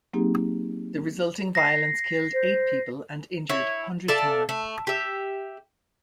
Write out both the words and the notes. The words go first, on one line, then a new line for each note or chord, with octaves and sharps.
The resulting violence killed eight people, and injured hundreds more.
F#3 A#3 C4 D#4 G4 G#4
A#6 C7
C5
E4 C#5
A4 D5 E5 F5
A3
G4 E5